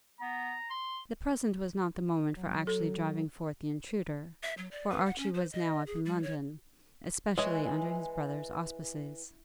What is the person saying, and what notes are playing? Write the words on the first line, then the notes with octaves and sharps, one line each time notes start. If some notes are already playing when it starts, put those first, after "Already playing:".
The present was not the moment for actually driving forth the intruder, for Archie was now up in London, especially under his brother's auspices.
B3 A#5
C6
F#3
A4
E5
F#3
D5
B4
F#5
C#4
C5
D#5
G#4
G3
C#5
E3 G#3 C#5 D#5